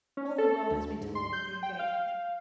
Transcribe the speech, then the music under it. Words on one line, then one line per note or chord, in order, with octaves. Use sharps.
All the world has been told of the engagement.
C#4
A4
D2
G#2
C6
G6
G5
F5